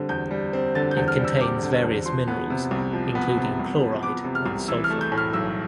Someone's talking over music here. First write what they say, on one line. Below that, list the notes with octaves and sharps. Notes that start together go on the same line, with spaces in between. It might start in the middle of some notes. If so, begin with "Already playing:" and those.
It contains various minerals including chloride and sulphur.
Already playing: D3 G3 C4
E2 G6
G3
C4
D3 A6
G6
E2
F6
G3
E6
C4 D6
D3
E2
F3 C6
B3
C3
C2
F3
B3
C3
C2
F3
B3 D6
C3
F6
C2
E3 E6
F6
A3
G6
A2
F6
B1 E6